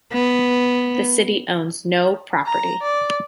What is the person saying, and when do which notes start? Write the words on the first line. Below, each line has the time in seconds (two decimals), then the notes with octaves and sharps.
The city owns no property.
0.12 B3
2.46 A#5
2.82 D5